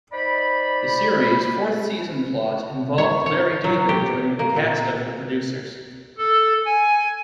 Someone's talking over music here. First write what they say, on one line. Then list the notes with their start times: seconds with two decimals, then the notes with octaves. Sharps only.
The series' fourth season plot involved Larry David joining the cast of "The Producers".
0.13 D#4 C5 D5 B5
2.98 C#5
3.26 C#5
3.64 F#3
3.89 G4
4.39 A#3
4.56 A#2
6.18 A4
6.65 G#5